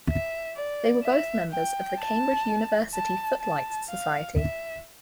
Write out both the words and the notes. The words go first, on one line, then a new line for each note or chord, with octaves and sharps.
They were both members of the Cambridge University Footlights society.
E5
D5
E5
G5
A5
A5
A5
F5
E5